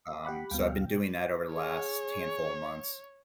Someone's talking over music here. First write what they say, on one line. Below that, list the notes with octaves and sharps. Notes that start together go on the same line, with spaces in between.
um, so, I've been doing that over the last handful of months,
G4 F#5 B5
D2 B2 G3 F5 G5
G#4 C#5